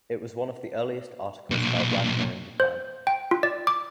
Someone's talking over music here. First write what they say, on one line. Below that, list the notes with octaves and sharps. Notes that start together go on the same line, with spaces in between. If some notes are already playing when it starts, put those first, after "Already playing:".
It was one of the earliest articles about Wagner in Japan.
B1 A#2
C5
G5
F4
D5
D6